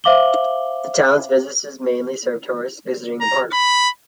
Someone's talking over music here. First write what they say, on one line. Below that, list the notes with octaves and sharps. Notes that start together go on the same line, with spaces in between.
The town's businesses mainly serve tourists visiting the park.
C5 E5 F5 D6 F#7 G7
A#5
B5